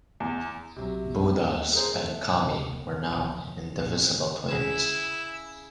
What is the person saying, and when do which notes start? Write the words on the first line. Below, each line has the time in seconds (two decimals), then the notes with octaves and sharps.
Buddhas and kami were now indivisible twins.
0.20 E2
0.76 B1 C3 F#3
1.44 F2
1.73 G#4 A#4 C5
1.94 G#2 A3
2.42 C3
2.73 B3
3.09 B1
3.24 F3
3.80 A#2
4.48 C#3 E4 G#4 E7